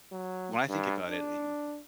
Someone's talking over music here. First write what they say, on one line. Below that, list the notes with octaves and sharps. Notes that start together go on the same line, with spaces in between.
when I think about it, uh y you
F#3
G2
D4